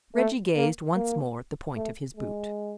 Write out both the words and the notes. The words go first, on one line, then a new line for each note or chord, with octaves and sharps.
Reggie gazed once more at the point of his boot.
A3
A#3
A#3
A3
G#3